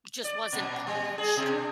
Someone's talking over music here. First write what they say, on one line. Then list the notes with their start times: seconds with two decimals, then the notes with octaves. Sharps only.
just wasn't polished
0.24 D5
0.53 A#2
0.87 G3
1.18 G#4
1.37 B2
1.52 D4